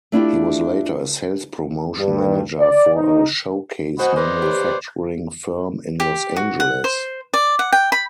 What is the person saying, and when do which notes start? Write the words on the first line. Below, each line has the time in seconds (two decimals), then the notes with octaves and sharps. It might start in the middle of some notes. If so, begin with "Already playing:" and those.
He was later a sales-promotion manager for a showcase-manufacturing firm in Los Angeles.
0.12 A3 D4 E4 F4 G4
1.98 G2
2.60 D5
2.95 D#4
3.99 F#4 C5 D#5 F#5 G#5 B5
4.16 B4 C5 D5 D#5
4.42 D#2 G4
6.00 G4
6.36 F#4
6.60 F#5
6.84 C5
7.34 D5
7.59 F#5
7.72 G5
7.92 B5